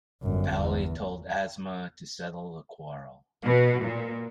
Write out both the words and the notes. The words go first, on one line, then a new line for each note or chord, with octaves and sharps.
Ali told Asma to settle the quarrel.
G1 F#2
E2
B2
A#2